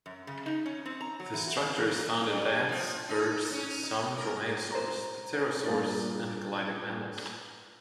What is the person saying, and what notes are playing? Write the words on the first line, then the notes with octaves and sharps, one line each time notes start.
The structure is found in bats, birds, some dromaeosaurs, pterosaurs, and gliding mammals.
F#2
C#3
D#4
C#4
C4
A#5
F#3
E3
F#4
D#3
F3
A#3
G2
F3
D#4
C#4
D#4
A#4
C5 A#5
G2 A#2 A#3 G#4 F5 A6